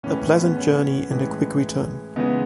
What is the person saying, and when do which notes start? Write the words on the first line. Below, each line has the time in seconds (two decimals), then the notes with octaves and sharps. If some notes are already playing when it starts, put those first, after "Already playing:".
A pleasant journey and a quick return.
0.03 A2 E3 G#3 C#4
0.21 C#4
0.39 B3
0.57 C#4
1.10 A2 E3 G#3
2.16 C#3 E3 G#3 B3 D#4